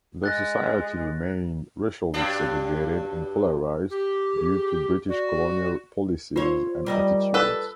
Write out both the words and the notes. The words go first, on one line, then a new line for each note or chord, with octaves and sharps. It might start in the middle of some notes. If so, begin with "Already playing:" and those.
The society remained racially segregated and polarised due to British colonial policies and attitudes.
G#3 F#6 A6 A#6
G2 F#3 D4
G4
G#4
F#4 D5
F4 C5 C#5
G3 A#4 D#5
A4 B4